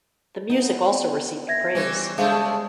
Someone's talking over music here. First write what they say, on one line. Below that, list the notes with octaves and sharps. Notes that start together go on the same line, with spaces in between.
The music also received praise.
B3 D#4
E5 G#6 A#6
E3 G3 C4 C#4
C#3 G#3 A3 D4 G#4 C5 E5 F5